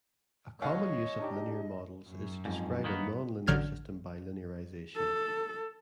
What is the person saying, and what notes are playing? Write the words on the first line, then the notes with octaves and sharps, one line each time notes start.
A common use of linear models is to describe a nonlinear system by linearization.
D#2 C#5 D#5 F5 F#5
D4 D#4 G4
F#2
F2 G#2
D#3 A#3 B3
A1 D3 F#3 F6 G6 G#6
A4